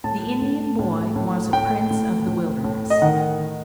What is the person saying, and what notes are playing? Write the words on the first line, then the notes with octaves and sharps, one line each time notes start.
The Indian boy was a prince of the wilderness.
A2 A5
A2
A2
A2
A2 G5
A2
A2
A2
D#5
D#3 F#5
D#3